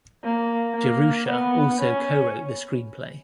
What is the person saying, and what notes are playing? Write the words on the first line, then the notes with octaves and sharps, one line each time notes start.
Jerusha also co-wrote the screenplay.
A#3
A#3
B3
C#4